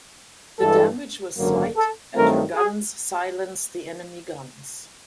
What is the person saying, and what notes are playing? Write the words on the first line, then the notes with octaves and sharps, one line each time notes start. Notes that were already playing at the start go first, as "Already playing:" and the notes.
The damage was slight, and her guns silenced the enemy guns.
G2 E3 G#3 A4
G#1 F#2 D3 F#3 A#3
A4
G2 D#3 F#3 A3 C4 A#4
G#4